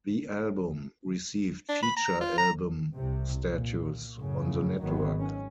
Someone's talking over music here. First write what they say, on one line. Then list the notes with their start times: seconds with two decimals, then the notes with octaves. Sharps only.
The album received feature album status on the network.
1.69 D4
1.83 B5
1.97 A#5
2.21 F4
2.38 A#5
2.95 C2 C3
3.49 A#2
4.17 F#2 A2 C#3
4.82 G#1 D#3 F#3 B3
5.19 C#4